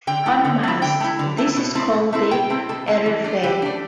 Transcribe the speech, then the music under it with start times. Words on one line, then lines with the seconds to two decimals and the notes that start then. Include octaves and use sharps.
On Mars, this is called the Areophany.
0.07 D3 G5
0.26 A3 E4
0.45 D3
0.63 A3 E4
0.82 D3 G5
1.01 A3 E4
1.19 D3
1.38 A3 E4
1.56 B2
1.75 A3 C4 E4
1.94 B2
2.13 A3 C4 E4
2.31 B2 G5
2.50 A3 C4 E4
2.69 B2 A4
2.87 A3 C4 E4
3.06 E3
3.24 A3 D4
3.43 E3 G4
3.62 A3 D4